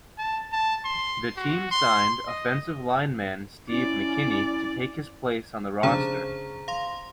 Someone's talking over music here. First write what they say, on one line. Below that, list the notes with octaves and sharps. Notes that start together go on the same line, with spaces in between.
The team signed offensive lineman Steve McKinney to take his place on the roster.
A5
A5
C6
F#4
C6
D#5
C#4 E4 D5
C#3 D4 G#4 C5 A#5
F5 C6